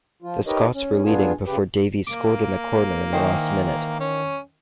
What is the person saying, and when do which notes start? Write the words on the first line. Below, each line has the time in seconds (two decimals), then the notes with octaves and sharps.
The Scots were leading before Davies scored in the corner in the last minute.
0.22 F3 F4
0.47 D#4 G4 A#4 B4 C#5 D#5
0.74 C#4
1.04 G2 B3 D4 F4 G#4 G#5
1.46 C#3 G4 B4
2.07 A#3 D6
3.13 D#3 E3 C5
4.00 C#4